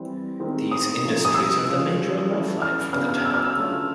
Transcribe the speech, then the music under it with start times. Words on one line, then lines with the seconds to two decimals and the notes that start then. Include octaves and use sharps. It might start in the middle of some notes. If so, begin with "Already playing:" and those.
These industries are the major lifeline for the town.
Already playing: E3 G3 C4
0.40 D#3 G#3 C4
0.71 D#6
1.03 A2 F3 A#3 C#4
1.25 D#6
1.34 E6
1.66 F3 G#3 C#4
2.30 E3 A3 C#4
2.62 F6
2.93 C#3 F#3 B3 D4 F#4 F6
3.09 F6
3.25 E6
3.34 F6
3.44 E6
3.57 D3 F#3 A3 C#4 F4